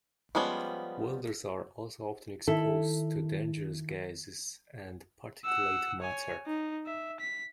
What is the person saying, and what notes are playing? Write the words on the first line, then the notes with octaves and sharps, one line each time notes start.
Welders are also often exposed to dangerous gases and particulate matter.
F3 G3 G#3 B3 C#4
D#3 E4 A4
F#5 E6
C#5 G#5
D#4
E5
B6